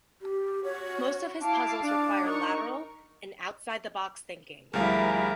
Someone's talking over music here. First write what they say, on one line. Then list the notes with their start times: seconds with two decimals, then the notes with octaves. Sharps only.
Most of his puzzles require lateral and "outside the box" thinking.
0.22 G4
0.64 F#4 C#5
1.42 E4 F5 A5 D6
1.82 D4
2.22 D#4 A#4 C#6
4.74 D2 F3 G3 E4 G#4 A#4 F5